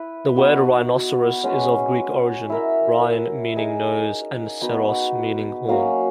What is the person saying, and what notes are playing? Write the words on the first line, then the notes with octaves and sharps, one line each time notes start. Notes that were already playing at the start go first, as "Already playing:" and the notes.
The word "rhinoceros" is of Greek origin; "rhin" meaning "nose", and "ceros" meaning "horn".
Already playing: E4 B4
B3 D#4 F#4 B4
G#3 C#4 F#4 B4
E4 A#4 E5
D#4 G#4 D#5
B3 D#4 F#4 B4
F#3 A#3 C#4 F#4